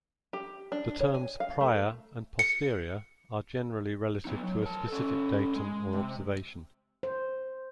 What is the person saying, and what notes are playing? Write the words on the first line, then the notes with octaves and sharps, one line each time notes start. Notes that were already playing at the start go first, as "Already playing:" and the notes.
The terms "prior" and "posterior" are generally relative to a specific datum or observation.
G4
D4
C#5
G#5
F5
A3
C#7
B3 D#4
F#3
A#4 A5
C#4 A4
G#3
C3
C5